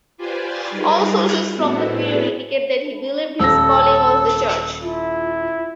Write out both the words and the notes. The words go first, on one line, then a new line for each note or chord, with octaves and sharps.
All sources from the period indicate that he believed his calling was the Church.
F4 G4 B4 C5 D5 G#5
G3 D#4 F4 G#4 A#4 B4
A2 A3 B3 C4 E4 F#4
E4 G#4 A4 B4
D#1 A4 E6 A#6
E4 F4